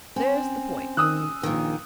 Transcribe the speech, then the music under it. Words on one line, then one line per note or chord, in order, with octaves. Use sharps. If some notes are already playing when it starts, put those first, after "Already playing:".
"There's the point!" he returned.
C4 C#4 G#5 C6
D#3 D#6 E6 F#6
A#1 A#2 D#3